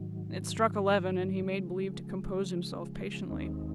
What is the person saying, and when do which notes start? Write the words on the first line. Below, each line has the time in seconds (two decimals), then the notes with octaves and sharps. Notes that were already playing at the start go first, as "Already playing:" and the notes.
It struck eleven, and he made believe to compose himself patiently.
Already playing: G#2 D#3 F#3
1.43 C#3 F3 G#3
3.29 D#2 D#3 G#3 C4 D#4